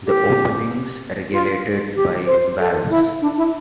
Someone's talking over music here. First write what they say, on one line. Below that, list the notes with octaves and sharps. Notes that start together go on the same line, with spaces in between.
The openings regulated by valves.
G4
F4
G4
C5
A4
E4
D4
E4